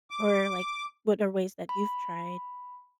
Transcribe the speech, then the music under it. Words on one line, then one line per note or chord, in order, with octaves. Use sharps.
or, like, what are ways that you've tried
D6
B5